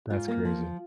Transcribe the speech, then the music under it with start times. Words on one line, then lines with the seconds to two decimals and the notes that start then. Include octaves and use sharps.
That's crazy.
0.10 G#2 F4
0.28 A#3
0.45 F3